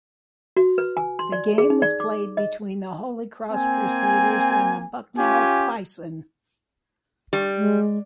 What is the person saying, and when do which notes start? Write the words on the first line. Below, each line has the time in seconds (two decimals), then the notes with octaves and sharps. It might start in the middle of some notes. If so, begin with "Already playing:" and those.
The game was played between the Holy Cross Crusaders and the Bucknell Bison.
0.57 F#4
0.78 B4
0.97 G#5
1.19 C6
1.32 D5
1.58 G#4
1.70 D#4
1.82 D5
2.00 D6
2.37 D#5
3.52 A#3 C4 G#5
5.17 C#4 F4 G4 G#5
7.33 G3
7.58 G#3